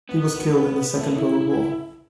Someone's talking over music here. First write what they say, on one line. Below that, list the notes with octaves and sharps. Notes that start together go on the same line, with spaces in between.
He was killed in the Second World War.
B3
A3
E4